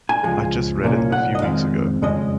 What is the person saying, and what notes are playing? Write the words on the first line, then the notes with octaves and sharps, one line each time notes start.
I just read it a few weeks ago.
G#5
C#2 C#3 F3 G#3 G#5
C2 A#2 F3 A#3 C#4
F#5
D#5
F2 D#3 G#3 C4 F5
F2 C#3 G#3 C#4 D#5